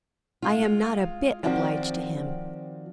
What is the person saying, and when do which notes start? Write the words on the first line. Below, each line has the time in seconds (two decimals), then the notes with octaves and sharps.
I am not a bit obliged to him.
0.42 G#3 F4
1.43 D#3 F3 C4 F#4 D5